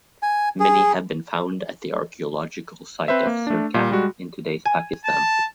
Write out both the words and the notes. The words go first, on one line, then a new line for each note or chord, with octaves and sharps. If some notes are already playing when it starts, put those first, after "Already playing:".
Many have been found at the archaeological site of Sirkap, in today's Pakistan.
G#5
G#4
C4 B4 C5 E5
A#3
A3 D4
A#2 G3
G3 G#3 F#4
G#5
A5